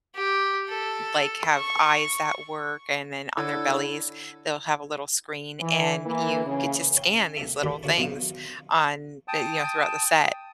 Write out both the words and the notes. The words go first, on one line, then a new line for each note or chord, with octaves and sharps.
like, have eyes that work, and then on their bellies, they'll have a little screen and you get to scan these little things on, you know, throughout the set,
G4
A4
C#6
D3 E4 A4 C#5 G#6
E3
E3 A#3
C#3
C#5 G5
C2 A3 A4 E5
D2 D#3 G4 B5
D#2 D3 F#4 C#5 A5
A#1 B2 F3 C4 D#4 F5
G5 A5 D#6